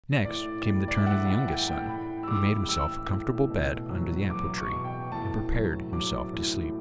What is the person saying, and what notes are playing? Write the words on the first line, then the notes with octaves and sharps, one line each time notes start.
Next came the turn of the youngest son, who made himself a comfortable bed under the apple tree, and prepared himself to sleep.
A2 D5
G3
D5
E5
G3 F#5
F#5
A2 G5
G5
A2 B5
E6
G3 D6
G3 E6
A2
B2
F#3
F#3 D6
C#6
B2
G5
A2 A5
F#3
F#3 D6
A2